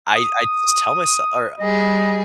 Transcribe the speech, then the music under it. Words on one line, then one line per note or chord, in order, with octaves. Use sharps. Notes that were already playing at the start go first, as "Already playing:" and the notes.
I I just tell myse or
D#6
G3 G#4 D#5